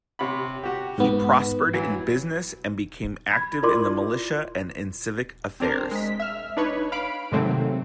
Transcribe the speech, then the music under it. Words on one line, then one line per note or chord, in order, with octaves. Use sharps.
He prospered in business and became active in the militia and in civic affairs.
C3 C#5 B5
F#4 G4
G#2 B3
E3 F#3
B5 G#6
E4 F4 A#4 D5 C6 D6
C4 D4 A#4 C5
G#3 B6
E5 F6
D4 D#4 B4 C#5
F5 B5 D7
G#2 C3 D#3 F#3 A3 C4